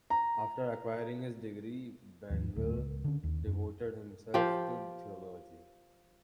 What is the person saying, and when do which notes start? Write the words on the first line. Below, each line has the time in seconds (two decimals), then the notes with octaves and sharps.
After acquiring his degree, Bengel devoted himself to theology.
0.10 A#5
2.30 D#2 G#2 F3
2.56 G1 D2 A2
2.76 C#2
3.04 D3 C#4
3.23 D#2
3.47 F#2
4.34 F3 G4